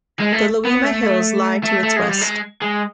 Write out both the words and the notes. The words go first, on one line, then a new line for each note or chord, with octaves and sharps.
The Loima Hills lie to its west.
G#3
A3
B3
A3
A3
A3
G#3
G3
G#3
G#3